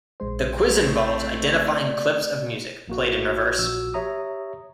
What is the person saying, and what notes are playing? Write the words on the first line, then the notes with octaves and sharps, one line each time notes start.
The quiz involves identifying clips of music played in reverse.
A#1 G#3 C5
A3 C4
D5
A#1 A#3 F#4
A#1 F#4 E6
G4 C#5 E5 A#5 D#6